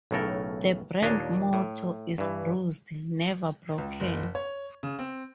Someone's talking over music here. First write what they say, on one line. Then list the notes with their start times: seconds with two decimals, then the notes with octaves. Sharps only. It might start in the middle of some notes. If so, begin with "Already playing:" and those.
The brand motto is "Bruised, never broken".
0.11 B1 A2 C#3 A4 A#4
1.02 D#2 A#2 D4 C#5 D#5
1.53 A2
2.18 G2 E3
3.78 C#2
4.00 F#1
4.35 C#5
4.83 C#3
4.99 C4